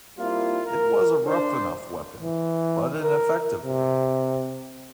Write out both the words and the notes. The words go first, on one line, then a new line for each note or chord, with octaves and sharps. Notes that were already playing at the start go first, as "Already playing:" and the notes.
It was a rough enough weapon, but an effective one.
G3 A#3 C4 E4 F4
A#4
D4 C5
E3
A#4
C3